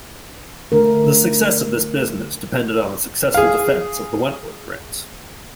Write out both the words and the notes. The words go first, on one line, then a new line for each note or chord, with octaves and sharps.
The success of this business depended on the successful defense of the Wentworth grants.
D3 A3 D4 A#4
G#4 F5